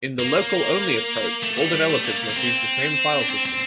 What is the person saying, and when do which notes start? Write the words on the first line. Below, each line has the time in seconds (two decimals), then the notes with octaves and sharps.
In the local-only approach, all developers must use the same file system.
0.19 A#3
1.43 A3
1.58 G3
1.74 G3
1.90 A3
2.05 A#3
2.30 A#3
2.36 C4
3.21 D4
3.30 C4
3.46 C4